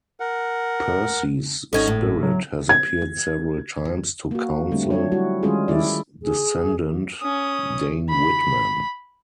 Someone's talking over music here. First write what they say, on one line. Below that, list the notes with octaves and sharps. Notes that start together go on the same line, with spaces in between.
Percy's spirit has appeared several times to counsel his descendant, Dane Whitman.
A#4 F#5
G#1 C#4 D#4 F#4 A4 G#6
A2
F#3
G#6
A#3 F#4
D3 G3 A3 C4 D4
F3 F#3 D4 C#5
G3 E4 F#4
D#3 G3 G#3 C#4 F4 G#4
D#3 E4 D5
G#4
C#4 D#6
B5